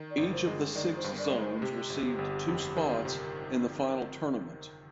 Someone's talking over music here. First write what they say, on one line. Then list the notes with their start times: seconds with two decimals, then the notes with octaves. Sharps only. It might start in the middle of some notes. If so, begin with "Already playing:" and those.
Each of the six zones received two spots in the final tournament.
Already playing: D#3
0.11 D5
0.17 G1
0.32 C5
0.47 G#3
0.76 D#3 D5
0.97 C5
1.04 G2
1.19 D5
1.32 G#3
1.40 C5
1.62 C3 G4
1.90 G1
2.19 G1
2.48 F2
2.77 D#3
3.05 C3